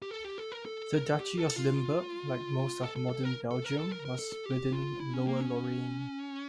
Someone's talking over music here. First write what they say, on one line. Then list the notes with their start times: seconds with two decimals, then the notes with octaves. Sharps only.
The Duchy of Limburg, like most of modern Belgium, was within Lower Lorraine.
0.02 G4
0.11 A4
0.24 G4
0.38 A4
0.52 A#4
0.65 A4
0.93 A#4
1.06 A4
1.20 G4
1.38 A4
1.56 F4
2.83 A4
2.96 A4
3.10 A4
3.23 A#4
3.51 A4
3.64 A#4
3.77 A4
3.91 A#4
4.05 A#4
4.19 A4
4.32 A4
4.46 G4
4.72 F4
5.00 E4
5.14 C#4
5.27 A#3
5.40 C#4